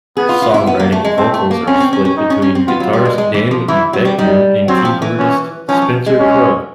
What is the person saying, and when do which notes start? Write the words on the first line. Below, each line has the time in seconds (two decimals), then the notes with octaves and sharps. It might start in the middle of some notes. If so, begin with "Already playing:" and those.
Songwriting and vocals are split between guitarist Dan Boeckner and keyboardist Spencer Krug.
0.17 B3 G#4
0.29 F4
0.42 F4
0.54 E4
0.67 B3
0.79 A#3
0.92 A3
1.05 G#3
1.17 A3 C4
1.34 A3
1.51 A#3
1.67 C4 C#4
1.80 C4
1.93 C#4
2.05 C#4
2.17 D#4
2.30 C#4
2.42 C#4
2.55 C4
2.68 B3 F4
2.80 F#3
2.93 G3
3.05 G#3
3.18 G#3
3.34 E3
3.51 F3
3.68 E3 E4
3.93 F#3
4.05 G3
4.18 G3 D#4
4.68 F#3 C4
4.85 F3
5.02 E3
5.19 C#4
5.69 F3 C#4
5.82 F3
6.06 G#3
6.19 C#4